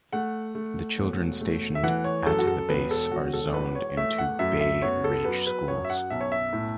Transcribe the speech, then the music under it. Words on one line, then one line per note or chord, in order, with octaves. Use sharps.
The children stationed at the base are zoned into Bay Ridge schools.
A3 F#5
A3
E1
A3
E5
E3 F#5
C#5
F#2 A4
F#4
A4
E1 B4
A4
E1 F#4
A4
E2 B4
C#5
A3 E5
F#5
F#2 E5
E5
B3 C#5
A4
F#3 B4
B4
F#2 C#5
E5
F#5
B1 E5
C#5
E5
A2